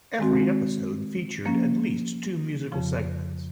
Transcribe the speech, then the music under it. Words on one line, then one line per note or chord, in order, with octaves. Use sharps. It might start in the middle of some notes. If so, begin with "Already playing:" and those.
Every episode featured at least two musical segments.
D#3 G#3 C4 F#4
F3 A#3 C#4
F2 C#3 F3